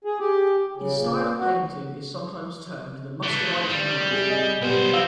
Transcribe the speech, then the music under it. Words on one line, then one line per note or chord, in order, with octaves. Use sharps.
His style of painting is sometimes termed "the Muscovite mannerism".
G#4
G4
C#3
A#2
F#4
E3 A3
G3
C3 G#4
D#5 G#5
B1 G3 B3 C5
F3 C4 F5 E6